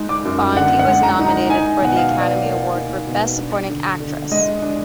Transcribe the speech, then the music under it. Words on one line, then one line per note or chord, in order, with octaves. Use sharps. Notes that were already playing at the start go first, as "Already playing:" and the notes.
Bondi was nominated for the Academy Award for Best Supporting Actress.
Already playing: G#3 D#4
D6
F#2
D3 F#5
F#5
G#3
A#5
D#4
A#5
D#4 G#5
B2 F#5
F5
B2
D5
A#3
D#4
B2
D4
D3
D3
G#3 D#5
D4